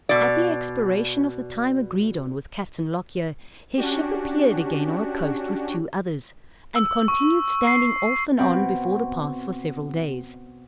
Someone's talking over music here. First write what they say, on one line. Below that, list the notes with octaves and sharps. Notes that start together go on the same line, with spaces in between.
At the expiration of the time agreed on with Captain Lockyer, his ship appeared again on the coast with two others, and continued standing off and on before the pass for several days.
B2 D5
C#4 D4 F#4 G4
E6
C#6
C7
B2 C4 F#4